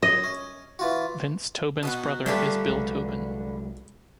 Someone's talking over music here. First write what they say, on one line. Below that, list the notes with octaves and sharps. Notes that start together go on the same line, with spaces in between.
Vince Tobin's brother is Bill Tobin.
F#2 D#5
C#4
E3 F4 F#4
B2 D#4 F4 F#4
A#2 D3 G3 A3 G4 B4 F5
C2 F#3 G#3